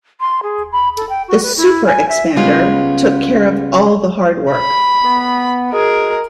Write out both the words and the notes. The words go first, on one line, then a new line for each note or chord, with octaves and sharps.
The "Super Expander" took care of all the hard work.
C6
G#4
B5
A4
G5
F#4
B4
E4
G#5
E5
C#3 G3 G#3 B3 C#4 F4
B5
B3
G#3 F#4 G#4 A#4